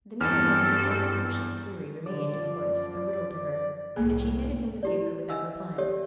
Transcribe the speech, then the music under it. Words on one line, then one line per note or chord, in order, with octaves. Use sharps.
The meaning of this councillorship query remained, of course, a riddle to her, yet she handed him the paper without replying.
E2 G2 G3 C4 A4 F6
D3 D5
F#2 F3
C2 A2 A3 A#3 G#4
E4 G4 D5
D#5 E5 G#5 E6
G4 A4 C#5 D5 E5